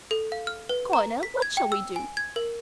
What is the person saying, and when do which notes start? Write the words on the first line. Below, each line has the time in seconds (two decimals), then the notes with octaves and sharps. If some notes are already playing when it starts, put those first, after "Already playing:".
Coronel, what shall we do?
0.11 A4
0.32 F5
0.47 F6
0.69 B4
0.93 A#5
1.23 B6
1.42 G#6
1.57 G5
1.72 E6
1.96 G#5
2.17 G#6
2.36 A#4